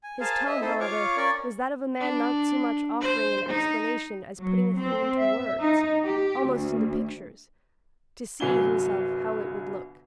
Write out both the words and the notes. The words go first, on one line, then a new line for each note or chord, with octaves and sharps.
His tone, however, was that of a man not so much offering an explanation as putting a thing into words--almost into pictures--to see, himself, how it would look.
G#5
G#4 A#4 C5 F5 G#5 A5
D#5 E5
C4 D#4 E4 A4 C5
F4 C#5 F5 C#6 D6
C#4 A#4 D5 C#6
D4
C5
D#4
F#3
C4
E5
D#4
G4
D2
G1 C2 F#3 G#5 G7